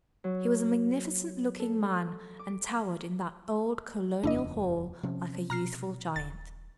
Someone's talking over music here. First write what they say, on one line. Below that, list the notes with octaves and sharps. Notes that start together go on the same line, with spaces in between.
He was a magnificent-looking man and towered in that old colonial hall like a youthful giant.
F#3
A4
D6
D#1 F2 C#3 D4 E4 D#5
C3 F3 C#4
B2 A#5 F6 C7
D#1 A6